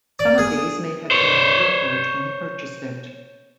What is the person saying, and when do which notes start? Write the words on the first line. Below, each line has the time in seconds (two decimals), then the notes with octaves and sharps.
Some of these may have been at Burford when he purchased it.
0.19 D5
0.38 G#4
1.11 C5 C#5